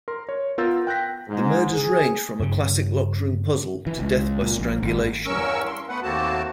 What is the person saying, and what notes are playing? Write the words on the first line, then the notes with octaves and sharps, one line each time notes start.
The murders ranged from a classic locked-room puzzle to death by strangulation.
A#4 C6
C#5
B3 F4 A#4 E6 G6 A6
G5 F#6 G6 A#6 B6
G#2
G#4
G2 C#3
E3
C#2
A#2
A#1
G#1
E2 G2 C#4 A#4 C#6 E6
C6
A3 B3 B4 F#5
D#2 A3 A#3 C4 F#4 A5